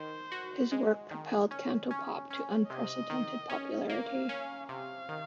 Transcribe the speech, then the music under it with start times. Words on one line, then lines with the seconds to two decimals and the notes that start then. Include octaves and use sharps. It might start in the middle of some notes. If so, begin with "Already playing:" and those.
His work propelled Cantopop to unprecedented popularity.
Already playing: D#3 C5
0.32 F#4
0.72 G#3
1.11 D#3
1.51 C#4
1.91 C#4
2.31 C#4
2.70 C3 D#5
3.10 D#3
3.50 C#4
3.89 A#3 F5
4.29 C#4
4.68 C3 F5
5.09 D#3